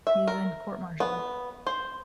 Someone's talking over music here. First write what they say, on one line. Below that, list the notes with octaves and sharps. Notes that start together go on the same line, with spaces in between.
He is then court-martialed.
E5
A#4
B3
C5